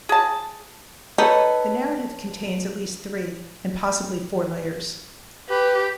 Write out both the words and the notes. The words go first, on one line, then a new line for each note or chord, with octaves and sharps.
The narrative contains at least three and possibly four layers.
G#4 A5
D#4 A4 B4 C#5
G4 B4